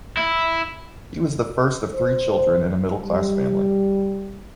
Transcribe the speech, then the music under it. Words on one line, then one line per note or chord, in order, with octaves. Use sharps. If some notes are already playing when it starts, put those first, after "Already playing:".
He was the first of three children in a middle-class family.
E4
C5
G3